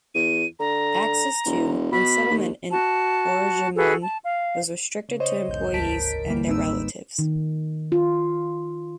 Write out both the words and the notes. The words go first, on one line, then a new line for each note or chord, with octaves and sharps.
Access to, and settlement in Oranjemund was restricted to employees and their relatives.
E2 D#7
D3 A#5
E1
B2 B5
D#2
F#4 A5
F#4 G#4 A4 B4
A5
F5
C#3
C5 C#5 D#5
B1 E2 G#2 G6
G1 D2 A#4 A5 B6 D7
D3 G3 A#3
G1 G#2 C4 D#4 B4 E6
D#3
F4